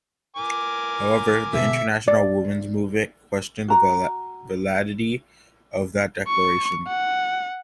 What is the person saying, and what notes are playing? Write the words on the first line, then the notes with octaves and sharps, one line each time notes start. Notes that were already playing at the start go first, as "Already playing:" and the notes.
However, the international women's movement questioned the validity of that declaration.
A#4 G#5 D6
B2 D3 G#3 E5
D5
F#4 A#5
C#6
F#5